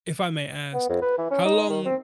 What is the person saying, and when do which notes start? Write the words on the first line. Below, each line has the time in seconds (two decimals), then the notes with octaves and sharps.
if I may ask, how long
0.74 B3
0.89 F2
1.02 B4
1.18 E3
1.31 C#4
1.45 D#4
1.70 D#3
1.85 C4